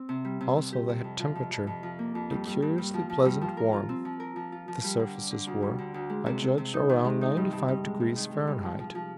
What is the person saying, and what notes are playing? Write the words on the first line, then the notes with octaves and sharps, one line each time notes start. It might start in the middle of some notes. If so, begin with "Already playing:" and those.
Also they had temperature, a curiously pleasant warmth--the surfaces were, I judged, around ninety-five degrees Fahrenheit.
Already playing: C4
C3
G3
C3
C3
G4
C3
F2
F3
F2
F2
F2
F3
A#3
F2
G2
G2
G2
G2
F3
F3
G2
F3
A#4
F4
C4
F3
A#4
F3
F4
F3
G3
D3
D4
D3
D2
G3
D3
D2
G#3
C3
C3
C3
D#4
D#3
G#3
D#4
G2
G2
G2
G#3
G2
D#3
G#3
G2
F3
F3
F3